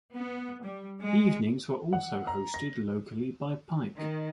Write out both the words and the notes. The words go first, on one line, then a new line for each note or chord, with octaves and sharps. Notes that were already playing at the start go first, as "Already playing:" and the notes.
Evenings were also hosted locally by Pyke.
B3
G3
G#3
F#5
A#5
A#6
D#3